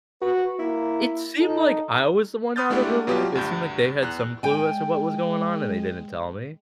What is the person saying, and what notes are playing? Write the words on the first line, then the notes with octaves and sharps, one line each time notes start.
It seemed like I was the one outta the loop. It seemed like they had some clue as to what was going on, and they didn't tell me.
F#4 B4
A#3 E4
D#4 A4
B5 C6 D#6 F6 G6 A6
G#3 A3 D4 E4 G4 F#5
B2 F#3 G3 F4 G4
D2 G2 G6
E2 F#6
G#3 G5 G#5